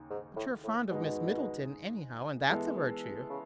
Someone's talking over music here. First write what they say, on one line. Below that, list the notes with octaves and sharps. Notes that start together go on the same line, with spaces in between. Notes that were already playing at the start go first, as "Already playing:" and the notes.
"But you're fond of Miss Middleton anyhow, and that's a virtue."
Already playing: D#2 C#3 D#4
G#2
A2
A2
G#2 B2 D#3 G#3 D#4
E3 G#3 B3 E4 A4
C#3